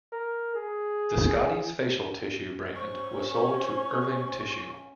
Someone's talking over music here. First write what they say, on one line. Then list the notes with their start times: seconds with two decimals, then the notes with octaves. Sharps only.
The "Scotties" facial tissue brand was sold to Irving Tissue.
0.12 A#4
0.55 G#4
2.75 C#4 C5 C#6